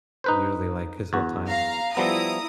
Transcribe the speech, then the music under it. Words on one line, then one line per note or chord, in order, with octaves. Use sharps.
usually, like, his whole time.
D#4 B4 C5
E2 F#4
F5 A#5
F3 G3 B3 E4 A#5 D#6